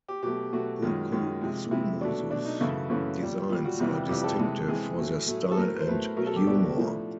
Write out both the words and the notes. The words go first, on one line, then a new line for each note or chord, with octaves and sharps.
Kukuxumusu's designs are distinctive for their style and humour.
G4
B2 F#3 A3 G4
B2 F#3 A3 F#4
F#2 D#3 G#3 F4
F#2 D#3 G#3
C3 F3 G#3
C3 F3 G#3 E4
B2 F#3 A3 D4
B2 F#3 A3 D4
D#4
F#2 C#3 E3 A3 E4
F#2 C#3 E3 A3
A#2 G3
A#2 G3 F4
F#4
F2 C3 E3 G3
F2 C3 E3 G3 G4
A4
C3 E3 G#3
C3 E3 G#3 G#4
A2 F#3 A3
A2 F#3 A3
A4
A2 F#3 A3 A#4
C5
A2 F#3 A3 B4
B2 F#3 A3 A#4
A4
G4
B2 F#3 A3 D4
A2 F3 A3